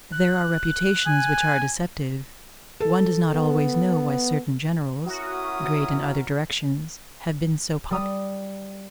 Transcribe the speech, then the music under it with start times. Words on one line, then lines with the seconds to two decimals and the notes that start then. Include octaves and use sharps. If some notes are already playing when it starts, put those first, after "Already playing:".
There are reputations which are deceptive; one does not always know why certain generals, great in other directions, have been so popular.
0.12 F#6
1.07 G#5
2.80 A4
3.35 B3
5.06 C#4 E4 F#4 A#4 D#6
7.91 G3 D#6